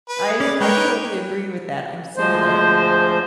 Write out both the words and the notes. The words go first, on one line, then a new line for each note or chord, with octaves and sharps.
I I totally agree with that, I'm similar,
B4
G#4
C#4 D5
G#3 A#4 B4 C#5 G5
D#4
D2 F3 G#3 C5